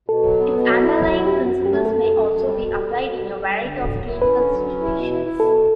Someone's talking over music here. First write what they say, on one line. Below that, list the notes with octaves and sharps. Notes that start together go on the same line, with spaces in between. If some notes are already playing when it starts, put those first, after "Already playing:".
Its underlying principles may also be applied in a variety of clinical situations.
B2 A4
F#3
B3
B2
F#3
E4
F#3
E4
F#4
F#2 G4
F#2 F#4
F#2
G4
A3
F#2 A4
F#2
F#2
F#2
G3
B2
G3
B2
B2
G3
G3
G3
D3
F#3
F#3
E4
C#4 B4
D3
F#3
C#4
E4
B2
E4
E4
B2 A4